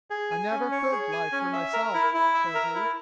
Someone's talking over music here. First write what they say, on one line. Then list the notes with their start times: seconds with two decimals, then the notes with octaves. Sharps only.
'I never could like her myself,' said he.
0.10 G#4
0.31 G#5
0.51 C#4
0.72 C#5
0.92 G#4
1.12 G#5
1.32 C#4
1.53 E5
1.73 A#4
1.94 E4
2.14 E4
2.34 E5
2.55 A#4
2.75 E4